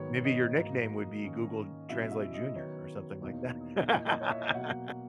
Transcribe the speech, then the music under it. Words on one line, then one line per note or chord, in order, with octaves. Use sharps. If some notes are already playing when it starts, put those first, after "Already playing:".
Maybe your nickname would be Google Translate junior or something like that.
Already playing: G#2 D#3 F#3 B3 C#5
D#5
G#2 F#3 A#3
D#3 A#3 C#4
B2 F#3 C#4 E4 E5
E5
D#5
D#3 F#3 B3 C#5
E2 B2 A#3 D#4
A#2 A#3 E4 D#5
D#5
C#5
E5
D#5
B2 F#3 A#3 F#5